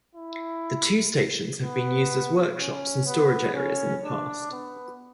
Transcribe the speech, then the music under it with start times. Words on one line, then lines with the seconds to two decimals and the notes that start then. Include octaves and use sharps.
The two stations have been used as workshops and storage areas in the past.
0.15 E4
1.61 B3
2.58 C#4
3.06 B3
3.54 C#4
4.03 D4
4.52 B3